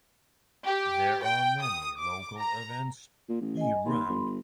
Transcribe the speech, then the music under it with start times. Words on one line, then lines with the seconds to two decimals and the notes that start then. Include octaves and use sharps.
There are many local events year-round.
0.65 G4
1.23 G5
1.61 D#6
1.97 D6
2.38 A#5
3.29 A#2
3.41 A1
3.57 D#5 G#5
3.85 D#2 B5 C6
4.09 G1